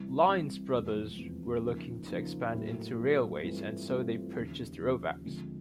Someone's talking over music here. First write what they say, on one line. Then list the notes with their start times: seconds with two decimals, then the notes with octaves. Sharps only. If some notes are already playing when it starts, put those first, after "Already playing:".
Lines Brothers were looking to expand into railways and so they purchased Rovex.
Already playing: C2 C3 E3 G3
0.28 C2 C3 E3 G3
0.74 F1 E2 C3 F3 G#3
1.18 F1 E2 C3 F3 G#3
1.64 C#3 F3 A#3 D#4
2.08 C#3 F3 A#3 D#4
2.54 A2 F#3 A#3
2.98 A2 F#3 A#3
3.43 G2 E3 A3 C4 F4
3.89 G2 E3 A3 C4 F4
4.34 D#2 C#3 F3
4.79 D#2 C#3 F3
5.24 D3 F3 G#3 C4